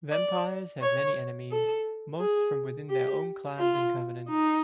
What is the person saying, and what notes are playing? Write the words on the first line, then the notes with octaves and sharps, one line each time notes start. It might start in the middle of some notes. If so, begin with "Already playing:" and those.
Vampires have many enemies, most from within their own clans and covenants.
D5
C#5
A4
G#4
G4
F4
D#4